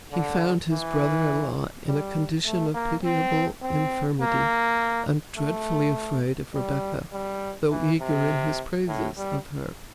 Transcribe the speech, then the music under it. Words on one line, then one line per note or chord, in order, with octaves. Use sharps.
He found his brother-in-law in a condition of pitiable infirmity--and dreadfully afraid of Rebecca, though eager in his praises of her.
D3
E3
G3
A3
A#3
C4
C4
A#3
A3
G3
G3
E3
C3
A2
G3